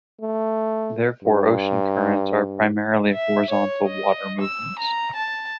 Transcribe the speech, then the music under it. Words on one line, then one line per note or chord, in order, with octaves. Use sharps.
Therefore ocean currents are primarily horizontal water movements.
A3
G2
E5
C#5
D#5
E6
A#5
A5